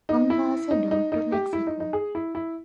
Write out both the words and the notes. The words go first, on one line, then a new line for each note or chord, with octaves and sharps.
Ambassador to Mexico.
D#4
E4
D#4
D#4
D#4
G4
E4
D#4
D#4
G#4
E4
E4